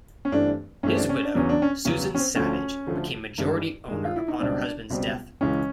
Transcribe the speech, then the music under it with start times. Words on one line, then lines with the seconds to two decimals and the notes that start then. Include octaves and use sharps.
His widow, Susan Savage, became majority owner upon her husband's death.
0.25 C#4
0.32 G2 E3 A3 C4 D4
0.83 G2 E3 A3 C4 C#4
0.96 D4
1.09 C#4
1.23 D4
1.34 E2 C#3 F#3 B3 C#4
1.49 D4
1.62 C#4
1.85 E2 C#3 F#3 B3 C#4
2.15 C#4
2.18 C4
2.36 D2 D3 F3 A3 C#4
2.86 D2 D3 F3 A3
3.38 G2 D#3 G#3
3.88 G2 D#3 G#3
4.05 F4
4.16 E4
4.28 D#4
4.39 C#2 B2 G3 C4 D4
4.90 C#2 B2 G3 C4
5.41 C#2 C#3 E3 G#3 C#4